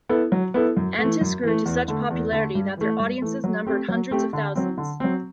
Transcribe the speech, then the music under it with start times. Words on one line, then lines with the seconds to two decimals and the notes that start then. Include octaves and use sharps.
Antis grew to such popularity that their audiences numbered hundreds of thousands.
0.09 B3 E4 A4
0.32 F#3
0.54 B3 E4 A4
0.77 F#2
0.99 E3 A3
1.21 F#2
1.43 E3 A3
1.65 E2
1.88 D3 A3
2.10 E2
2.32 D3 A3
2.55 G2
2.77 E3 A3
2.99 G2
3.22 E3 A3
3.44 F#3
3.67 A3 C4 G4
3.88 F#3
4.11 A3 C4 G4
4.33 D3
4.56 F#3 C4
4.78 D3
5.00 F#3 C4